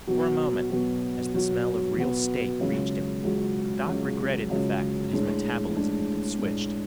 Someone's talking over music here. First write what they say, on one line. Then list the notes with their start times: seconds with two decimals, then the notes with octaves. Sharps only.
For a moment, as the smell of real steak reached him, Doc regretted the fact that his metabolism had been switched.
0.07 B2 F#3 B3 F#4
0.70 B2 F#3 B3 F#4
1.33 B2 F#3 B3 F#4
1.97 B2 F#3 B3 F#4
2.60 C#2 C#3 F#3
3.23 C#2 C#3 F#3
3.87 C#2 C#3 F#3
4.50 C#2 C#3 F#3
5.13 A2 G#3 D4
5.76 A2 G#3 D4
6.39 A2 G#3 D4